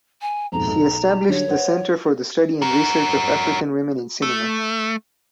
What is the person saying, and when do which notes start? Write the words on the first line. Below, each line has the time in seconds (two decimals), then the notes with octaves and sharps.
She established the Centre for the Study and Research of African Women in Cinema.
0.21 G#5
0.52 F2 G#2 B2 A#5
0.68 B1
1.29 D3 F#3 G3 C#5
1.48 B4 C5 F#5
2.62 F#4 A#4
4.22 A3